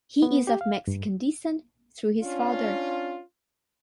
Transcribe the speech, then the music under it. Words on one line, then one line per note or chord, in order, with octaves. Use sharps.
He is of Mexican descent through his father.
B3
G4
F5
G2
C#4 D4 F4